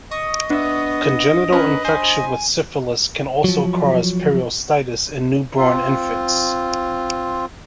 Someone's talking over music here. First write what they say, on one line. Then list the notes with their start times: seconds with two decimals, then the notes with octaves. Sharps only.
Congenital infection with syphilis can also cause periostitis in newborn infants.
0.11 D#5 C#6 D#6
0.50 B3 D4 E5
1.52 C#4 A#4 B4
1.85 C5 G#5 B5
3.44 F3 F#3
5.57 C4 F4